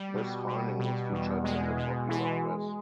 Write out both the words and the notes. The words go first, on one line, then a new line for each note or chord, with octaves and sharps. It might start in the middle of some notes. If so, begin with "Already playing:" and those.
This finding was featured in the popular press.
Already playing: G3
B2
B2
B2
E2
B2 G#3
B2
E3